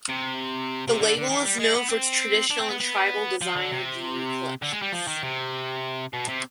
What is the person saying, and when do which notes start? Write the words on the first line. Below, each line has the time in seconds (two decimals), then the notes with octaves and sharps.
The label is known for its traditional and tribal designer jewellery collections.
0.09 C3
0.88 C3
0.99 D3
1.18 D3
1.30 D#3
1.45 G3
1.60 G#3
1.75 B3
1.90 C4
2.50 D4
2.60 C4
2.70 B3
2.81 B3
3.41 F3
3.56 D3
3.72 C3
4.62 D3
4.72 G#3
4.82 G3
4.92 F3
5.08 D#3
5.23 C3
6.13 B2
6.29 C3